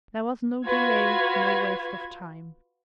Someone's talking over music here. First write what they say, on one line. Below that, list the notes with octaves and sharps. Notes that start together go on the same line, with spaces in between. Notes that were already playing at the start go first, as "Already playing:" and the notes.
There was no delay, no waste of time.
F4 F#4 B4 G#6